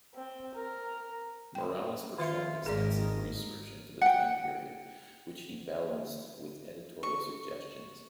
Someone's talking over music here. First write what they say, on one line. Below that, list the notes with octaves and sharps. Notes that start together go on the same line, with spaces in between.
Morales performed extensive research into the time period, which he balanced with editorial suggestions.
C4
A#4
G5
D#3 F4 B4 E5
G#1 D#3 G#4 A#4 D5
F#5 G5
C#6